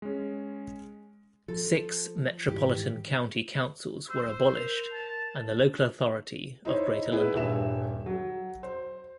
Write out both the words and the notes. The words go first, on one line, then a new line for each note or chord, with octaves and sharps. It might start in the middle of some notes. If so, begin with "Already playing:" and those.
Six metropolitan county councils were abolished and the local authority of Greater London.
G#3 C#4
F3 A4
G#2 D#3 E3 G4
C5 E6
A#4 F7
A5
D#4 E4 C5 C#5
B3 E4 G#4 B4
D#1 G2 E5 E7
F#3
C5